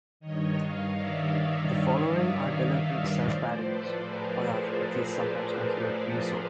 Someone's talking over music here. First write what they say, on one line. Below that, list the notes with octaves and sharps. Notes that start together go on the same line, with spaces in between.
The following are deliberate self-parodies or are at least sometimes considered to be so.
G2 D#3 C#5 D#5
D#5 F5
D5 E5
D5 E5
C#5 D#5
A2 F3 C5 D5
A4 B4
G#4 A#4
G#4 A#4